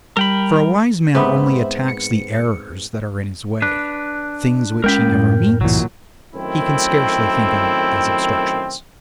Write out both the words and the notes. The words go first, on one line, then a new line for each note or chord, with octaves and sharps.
For a wise man only attacks the errors that are in his way; things which he never meets he can scarcely think of as obstructions.
G3 A#4 G5 B5
G#2 B3 C4 C5 E5 B5
C#7
D4 B4
G#3 C4 C#4 A#4 G5 B5
F#2 A2
C2 A#2 E3 F#3
F#2 D#3 A3 C4 E4